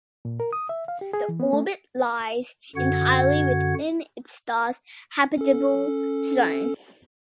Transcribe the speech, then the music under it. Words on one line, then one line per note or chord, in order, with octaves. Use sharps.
The orbit lies entirely within its star's habitable zone.
A#2
A#4
D#6
E5
F5
G4
G#4
E3
B3
A3
F#2 D3 F#4 F#5 G#6
C#4 A4